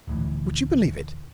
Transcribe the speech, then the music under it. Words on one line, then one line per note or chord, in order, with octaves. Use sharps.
Would you believe it?
D#1 D2 A2 E3